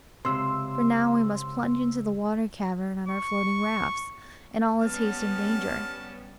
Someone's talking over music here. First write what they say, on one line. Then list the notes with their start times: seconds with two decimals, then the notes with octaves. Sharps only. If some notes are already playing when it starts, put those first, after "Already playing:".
For now we must plunge into the water-cavern on our floating rafts, and all is haste and danger.
0.25 C#2 G#2 C3 C6 E6
3.08 C#6
4.80 G3 B3 C#4 A5 F6